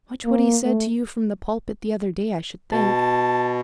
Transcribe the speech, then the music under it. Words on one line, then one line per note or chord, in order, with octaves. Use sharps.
"Much what he said to you from the pulpit the other day, I should think."
A#3
A3
B2 A5